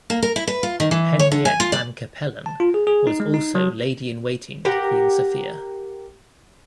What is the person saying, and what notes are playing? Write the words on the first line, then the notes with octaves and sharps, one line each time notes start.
Henriette van Capellen was also lady-in-waiting to Queen Sofia.
A#3
A#4
E4
B4
F4
D#3
E3
C#5
D3
G#5
F4
D5
A5
F4
G#4
G#4
D#4
G#3
D#4
F#3
G4 A#4 F#5